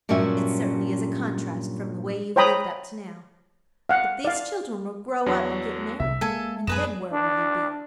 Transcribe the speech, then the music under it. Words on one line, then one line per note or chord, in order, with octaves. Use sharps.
It certainly is a contrast from the way you've lived up to now. But these children will grow up and get married, and then where will you be?
G2 A#2 F#3 C#4 E5 G#5
C5 C#5 G5 A#5 B5 D#6
F5 F#5
D5 F5
E2 F#3 D4
C2 E5
G#3 A#3 A4 G#5
F#2 G#4 B4 D#5 E7
D4